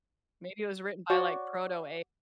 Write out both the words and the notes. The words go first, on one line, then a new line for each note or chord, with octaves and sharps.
Maybe it was written by, like, Proto AI,
F#4 C#5 D5